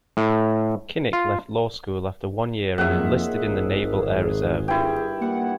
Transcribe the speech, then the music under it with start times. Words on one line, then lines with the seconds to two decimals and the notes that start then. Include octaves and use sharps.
Kinnick left law school after one year and enlisted in the Naval Air Reserve.
0.17 A2
1.13 F4
2.78 F2 A#2 D#3 F#3 G#4 E5 F#5
3.45 G#1
4.68 G2 E4 G5
5.22 G3 A#3 G4 F#5